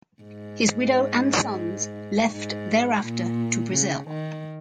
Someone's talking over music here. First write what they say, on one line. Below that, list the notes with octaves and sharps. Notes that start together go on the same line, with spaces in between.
His widow and sons left thereafter to Brazil.
G#2
G#2
A#2
C#3
D#3